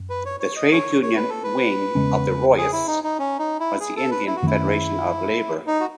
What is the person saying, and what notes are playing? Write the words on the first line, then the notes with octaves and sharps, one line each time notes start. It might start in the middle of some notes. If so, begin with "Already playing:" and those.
The trade union wing of the Royists was the Indian Federation of Labour.
Already playing: F#2
B4
C#5
C#5
D#5
C#5
C#5
B4
A4
B4
E2 C#3 G#3 C#4
G#4
E4
D#4
D#4
C#4
D#4
E4
G#4
A4
B4
E4
F#4
F#2 D#3 A3 C#4 E4
D#4
F#4